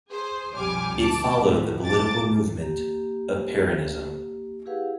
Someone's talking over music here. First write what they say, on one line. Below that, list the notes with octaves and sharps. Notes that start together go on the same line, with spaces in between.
It followed the political movement of Peronism.
G#4 C5
B1 F2 G3 G#5 D6 F6
D2 A5 D6
F2 A2
A5 D6 A6
A#3 G4
E4 G4 G#4 B4 F5 F#5